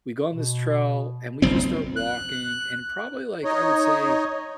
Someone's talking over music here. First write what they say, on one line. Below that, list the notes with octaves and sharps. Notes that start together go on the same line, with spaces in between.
we go on this trail and we just start walking and probably like I would say
B2
F#1 B1 C4
F#6
D#4 C#5 D#5